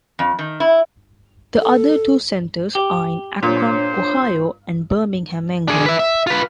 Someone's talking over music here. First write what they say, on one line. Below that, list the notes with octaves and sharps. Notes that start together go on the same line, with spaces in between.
The other two centers are in Akron, Ohio and Birmingham, England.
F2
D#3
E4
A4
G4
A#2 D4 C5 C#5
D4 G#4
B4 E5
E5
F4 B4